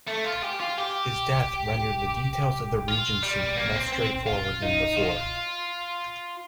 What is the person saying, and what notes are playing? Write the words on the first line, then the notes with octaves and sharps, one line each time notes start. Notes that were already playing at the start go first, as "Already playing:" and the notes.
His death rendered the details of the Regency less straightforward than before.
A3
F4
G4
F4
G4
F4
G3
A#3
C4
C4
F4
D#4
F4